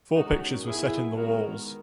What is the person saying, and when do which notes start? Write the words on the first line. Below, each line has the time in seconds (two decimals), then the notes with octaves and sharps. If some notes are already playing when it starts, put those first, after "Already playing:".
Four pictures were set in the walls.
0.16 D#3 G#3 C#4 D#4 F#4
0.66 F#3 B3 E4 G#4
1.16 D#3 G#3 B3 F#4 A#4